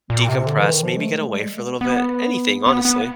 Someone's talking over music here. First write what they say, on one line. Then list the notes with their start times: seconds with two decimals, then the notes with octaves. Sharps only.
decompress, maybe get away for a little bit, anything, honestly.
0.10 A#2
0.29 C3
0.46 D3
0.58 E3
0.71 D#3
0.83 F3
0.96 G#3
1.02 A3
1.21 G#3
1.32 G3
1.45 G#3
1.57 A#3
1.68 B3
1.81 B3
2.66 B3
2.85 B3